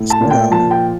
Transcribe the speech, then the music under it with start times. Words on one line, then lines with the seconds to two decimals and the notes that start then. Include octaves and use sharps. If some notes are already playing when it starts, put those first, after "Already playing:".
Yes, ma'am.
Already playing: A2 A3
0.10 A5
0.20 A#2
0.30 G5
0.50 F3 A5
0.71 G5